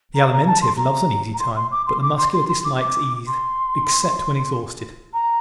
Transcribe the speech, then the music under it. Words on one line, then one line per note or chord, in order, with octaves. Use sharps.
The Alimentive loves an easy time but the Muscular dislikes ease except when exhausted.
A#5
A#5
A5
C6
A#5
A#5
C6
C6
D6
C6
D6
C6
C6
C6
D6
D6
C6
A#5